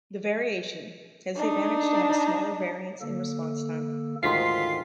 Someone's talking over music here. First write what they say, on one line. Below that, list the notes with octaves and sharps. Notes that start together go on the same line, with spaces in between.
The variation has the advantage to have a smaller variance in response time.
D4 D#4
D3 A#3 A4
D2 G#2 D#3 F4 C6 B6 C7